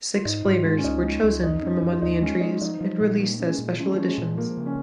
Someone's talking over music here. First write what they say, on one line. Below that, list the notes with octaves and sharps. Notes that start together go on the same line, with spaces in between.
Six flavors were chosen from among the entries and released as special editions.
F4
G#2 D#4
G#2 F4
G#3 F4
C#4
C#2 D#4
G#3
C#2
F2 D#4
C#4
F2
F4
D#2 D#4
G#3 C#4
G#3 D#4
F3 D#4
F3
A#2
G#3 A#3
C#4
G#3
A#2
F3 C#4
G#3
F3 C#4
G#3
A#2
F3 A#3
C#3
C#4